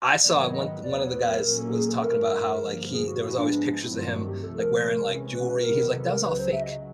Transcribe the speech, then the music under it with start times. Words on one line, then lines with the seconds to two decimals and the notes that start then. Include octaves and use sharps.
I saw one one of the guys was talking about how, like, he there was always pictures of him, like, wearing, like, jewelry. He's like, "That was all fake."
0.23 G#2 D#3 F#3 B3 D5
0.38 C#5
0.53 D#5
0.83 E2 B2 F#3 B3 D5
0.98 C#5
1.13 B4
1.28 A#4
1.43 A#2 F#3 A#3 C#4 A#4
1.58 A4
1.73 G#4
1.88 A4
2.03 G2 E3 A3 A#4
2.63 G2 D3 F3 A#3
2.93 G#4
3.08 F#4
3.22 G#2 F3 G#3 B3 F#4
3.38 D4
3.83 G2 D#3 F#3 A3 C4 E4
3.98 F4
4.13 F#4
4.27 G4
4.42 C2 C3 F3 A3 A4
4.58 A#4
5.03 C3 E3 G#3 C#4
5.33 B4
5.48 B4
5.62 E2 C3 D#3 F#3 B3 A#4
5.93 A4
6.08 A#4
6.23 C#2 C#3 F#3 B4
6.38 C5
6.53 E5
6.62 D#5